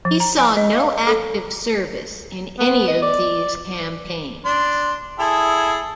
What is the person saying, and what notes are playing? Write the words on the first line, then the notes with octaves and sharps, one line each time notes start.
He saw no active service in any of these campaigns.
F3
A#5
G#5
D#5
F5
A4
B3
D#5
D5
D4 C6
E4 G#4 A4